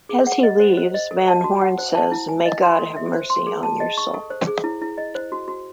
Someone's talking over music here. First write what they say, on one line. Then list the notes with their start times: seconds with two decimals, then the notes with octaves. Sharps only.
As he leaves, Van Horn says, May God have mercy on your soul.
0.09 G#4
0.27 F#5
0.43 D#5
0.60 C5
0.77 C5
0.94 D#5
1.11 A4
1.28 A5
1.44 F#4
1.61 F#5
1.78 C5
1.95 A5
2.12 E4
2.29 G#5
2.46 D#5
2.62 C6
2.79 A4
2.96 E5
3.13 C5
3.30 C6
3.47 G#4
3.63 A5
3.80 D#5
3.98 C#6
4.14 A4
4.30 C5
4.47 G#4
4.64 E4
4.81 E4
4.98 D#5
5.15 C5
5.32 F#4
5.48 F#4